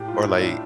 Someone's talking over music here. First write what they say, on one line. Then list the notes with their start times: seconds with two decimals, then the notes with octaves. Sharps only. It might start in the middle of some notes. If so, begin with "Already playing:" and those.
or, like,
Already playing: A2 G4
0.08 F4
0.14 A2
0.25 E4
0.36 A2
0.41 D4